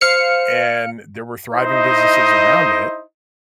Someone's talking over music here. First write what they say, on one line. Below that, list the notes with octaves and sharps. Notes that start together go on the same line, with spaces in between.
and there were thriving businesses around it
C5 F5 F6 C#7
D#4 E4 C5 D#5